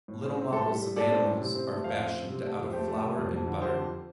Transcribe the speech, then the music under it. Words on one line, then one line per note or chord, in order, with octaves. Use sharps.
Little models of animals are fashioned out of flour and butter.
A2
C4
C4
A2 A4
G3
G3
A2 A4 D5
C4
A2
C3
C4
A3
F2 C5 F5
C4
C4
C3
A3
F2
A3 G4 C5
A3
C3
F2
F2
D3
D3 G4 C5
F2